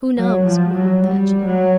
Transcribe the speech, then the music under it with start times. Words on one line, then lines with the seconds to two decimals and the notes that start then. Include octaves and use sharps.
"Who knows?" murmured the engineer.
0.17 F#3
0.46 F3
0.75 F#3
1.04 G3
1.46 F#3